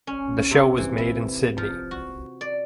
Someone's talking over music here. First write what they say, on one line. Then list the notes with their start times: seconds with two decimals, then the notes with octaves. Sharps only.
The show was made in Sydney.
0.07 C#4
0.51 C3
0.78 E3
0.98 E4
1.58 F3
1.91 F#4
2.41 D5